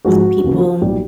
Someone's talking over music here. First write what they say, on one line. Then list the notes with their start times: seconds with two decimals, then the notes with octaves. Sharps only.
with people
0.05 G#1 G#2 F3 G#3 F#4
0.44 D#2 C#3 E3
0.81 B1 A#2 G3 G4